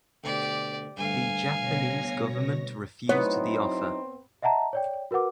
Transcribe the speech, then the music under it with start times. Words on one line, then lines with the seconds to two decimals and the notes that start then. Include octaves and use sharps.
The Japanese government refused the offer.
0.24 D2 B2 G4 D5
0.97 D2 G2 F5 G#5
1.59 B2 C#5 A#6
3.09 F#3 B3 C4 D#4 E4 C#5
4.42 D#5 E5 F#5 A5 A#5
4.73 C#5 D5 G5
5.11 F#4 A#4 B4 F#5 D6